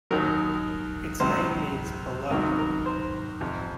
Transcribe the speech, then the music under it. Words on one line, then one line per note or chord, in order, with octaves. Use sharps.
Its name means "below".
D#2 D#3 F#3 A#4
C#2 C3 F#3 C5
C#2 C3 D#3 F#3 A#4
A#4
C5
F2 C3 F3